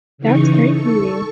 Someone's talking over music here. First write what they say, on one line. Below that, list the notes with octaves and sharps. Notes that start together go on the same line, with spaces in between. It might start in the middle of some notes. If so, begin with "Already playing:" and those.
That's crazy.
C#3 E3 D#4 C#6
A4 C#6